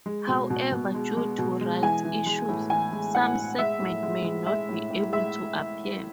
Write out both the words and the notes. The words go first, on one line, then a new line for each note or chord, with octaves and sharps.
However, due to rights issues, some segments may not be able to appear.
G#3
B2
B2
B2
G#3
G#3
B2
G#3
E3 G#5
E3
G#3
A2
E3 G#5
G#3
A2 F#5
A2
G#3 E5
A2
G#3
G#3
G#3 E5
A2
A2
G#3 E5